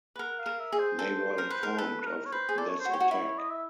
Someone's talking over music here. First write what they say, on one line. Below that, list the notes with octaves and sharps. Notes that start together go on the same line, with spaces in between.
They were informed of this attack.
B4
A#4 F#5
F5
A#4
E5
G#4
C5
A4
A#4
B4
A#4
A4 B4
B4
A#4
C#5
B4 C5
G#4
A4 D5
C#5
C5
F#4
G4 C#5
F#4
E4
D#5
E5